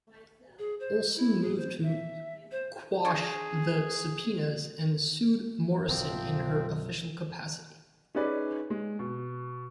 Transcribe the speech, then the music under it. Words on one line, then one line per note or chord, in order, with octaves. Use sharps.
Olson moved to quash the subpoenas and sued Morrison in her official capacity.
G#4
C5
E4
G#4
C5
E5
C5
D4 G#4 G#5 C#6
B1 F#2 C3 F3 C4
C#4 D#4 G#4 B4 D5
G#3
B2